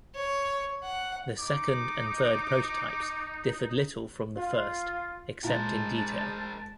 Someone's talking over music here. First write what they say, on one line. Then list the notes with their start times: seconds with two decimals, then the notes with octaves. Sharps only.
The second and third prototypes differed little from the first except in detail.
0.15 C#5
0.83 F#5
1.39 D#4 D6
4.37 F4
5.44 A#2 G#3 E4 F4 A#4 C5 A5